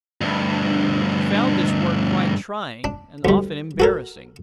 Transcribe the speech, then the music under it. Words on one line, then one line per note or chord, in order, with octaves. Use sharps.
She found this work quite trying, and often embarrassing.
D2 G2
D4
D2 G3
F#4 A4 A#4